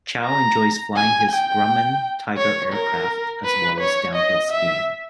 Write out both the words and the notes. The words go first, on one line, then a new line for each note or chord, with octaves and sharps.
Chiao enjoys flying his Grumman Tiger aircraft, as well as downhill skiing.
A#5
G#5
G5
C#5
A#4
B4
C#5
D#5
E5